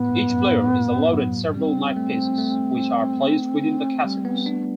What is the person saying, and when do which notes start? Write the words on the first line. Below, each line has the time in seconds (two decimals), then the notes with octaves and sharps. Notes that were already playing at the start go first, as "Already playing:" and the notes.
Each player is allotted several knight pieces, which are placed within the castles.
Already playing: A2 B3
0.09 G2
0.30 F#2
0.50 A2
1.13 F#3
1.54 G3 C4
1.96 A3
2.38 A3
4.04 G3
4.25 B3
4.46 D4